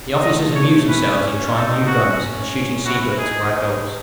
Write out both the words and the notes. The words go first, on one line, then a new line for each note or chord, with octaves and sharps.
The officers amuse themselves in trying new guns, and shooting sea-birds for our dogs.
A3 D#5
C#5
C#4 B4
D#4 A4
C#4 F#4
E4 F#4
D#4 G#4